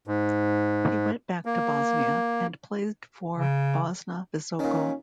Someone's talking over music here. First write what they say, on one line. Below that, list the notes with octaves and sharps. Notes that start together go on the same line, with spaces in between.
He went back to Bosnia and played for Bosna Visoko.
G#2
A#3
C#3
A#2 D#3 C#4